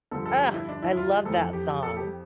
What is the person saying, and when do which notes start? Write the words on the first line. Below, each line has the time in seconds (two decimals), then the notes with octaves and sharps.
Ugh! I love that song.
0.11 G2 D3 F3 A4
0.26 A4
0.41 G4
0.54 E4
0.69 D4
0.82 E4
0.97 F4
1.11 G4
1.25 F2 E3 A4
1.53 G4
1.83 A4
1.97 G4